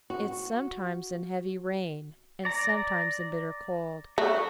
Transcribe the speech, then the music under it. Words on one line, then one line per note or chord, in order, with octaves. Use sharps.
'It's sometimes in heavy rain, and sometimes in bitter cold.
F#4
D5 A#5
A3 F#4